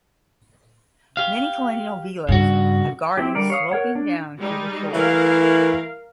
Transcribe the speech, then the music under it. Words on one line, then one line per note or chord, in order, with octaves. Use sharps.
Many colonial villas have gardens sloping down to the shore.
G4 F5
G2 C#3 F#4
C4 E4 G4
D3 G3 A#4 D5
C#5 F5 D#6
A#4 C#5 F#5
D4
G3 G#3 D#4
E3 A3 E4 A#4 F5